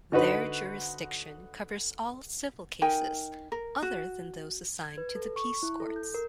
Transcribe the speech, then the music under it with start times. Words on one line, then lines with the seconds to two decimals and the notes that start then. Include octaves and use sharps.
Their jurisdiction covers all civil cases other than those assigned to the peace courts.
0.12 D3 D#4 F#4 B4 C5
2.82 D#4 A#4 G5 G#5
3.52 A#4
3.82 F#4
4.84 G#6
4.98 B4
5.15 A4
5.36 C#6
5.63 E4
5.80 A4
5.96 G6
6.14 A#4